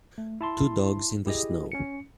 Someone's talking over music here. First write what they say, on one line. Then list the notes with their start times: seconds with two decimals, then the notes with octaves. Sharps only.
Two dogs in the snow.
0.18 A3
0.41 E4 A5 C6
1.26 E4 G4 G#4 D#5
1.72 C#4 C#7